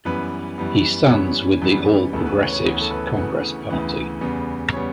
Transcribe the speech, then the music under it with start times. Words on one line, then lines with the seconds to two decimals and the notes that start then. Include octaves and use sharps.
He stands with the All Progressives Congress Party.
0.05 F#2 E3 G3 B3 B4
0.58 F#2 E3 G3 B3
1.04 B4
1.09 F#2 E3 G3 B3 C#5
1.62 F#2 E3 G3 B3
2.13 D2 C#3 E3 B3 A4
2.26 B4
2.40 C#5
2.52 C#5
2.65 D2 C#3 E3 B3 C#5
2.81 A4
2.91 B4
3.17 D2 C#3 E3 B3
3.69 D2 C#3 E3 B3
4.21 E2 C#3 G3 B3
4.73 C#3 G3 B3 C#5